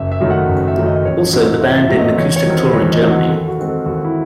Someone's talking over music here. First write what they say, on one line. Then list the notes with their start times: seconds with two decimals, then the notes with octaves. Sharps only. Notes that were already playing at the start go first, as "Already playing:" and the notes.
Also, the band did an acoustic tour in Germany.
Already playing: F#1 E5
0.11 E5
0.20 F#2 D#3 F#3 A3
0.31 F#5
0.49 F#1
0.68 E5
0.77 F#2 D#3 F#3 A3
0.86 D#5
0.96 D#5
1.05 A1 C#5
1.33 G#2 F#3 A3 C4
1.61 A1 E5
1.80 E5
1.89 G#2 F#3 A3 C4
1.98 D#5
2.17 E2 C#5
2.36 C#5
2.45 D#3 F#3 C4
2.55 C5
2.73 E2 C#5
2.92 D#5
3.01 D#3 F#3 C4
3.11 F#5
3.30 D#2 A4
3.48 F#4
3.58 D#3 G#3 C4
3.67 A4
3.85 D#2 F#4
4.05 E4